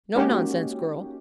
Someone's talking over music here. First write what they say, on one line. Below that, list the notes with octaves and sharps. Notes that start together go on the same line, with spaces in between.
No nonsense, girl!
G#3 A#3 C#4 D#4 F#4 G4